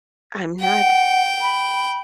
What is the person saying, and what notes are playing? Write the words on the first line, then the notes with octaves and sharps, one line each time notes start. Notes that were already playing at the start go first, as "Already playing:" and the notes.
I I'm not
F#5 G5
B5